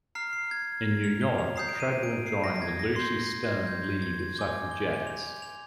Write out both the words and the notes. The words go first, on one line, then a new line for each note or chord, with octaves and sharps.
In New York, Treadwell joined the Lucy Stone League of suffragettes.
A#5 F6 C7
C7
G#6
F7
G7
F7
A#5 D#6 G6 C7
D7
D#7
D7
C7
A#6
A#6
G#6
A#6
C6 G6 C7
A#6
G#6
G6
G6
G#6
G#6
G#5 D6 G6 G7
G7
G7
F7
F7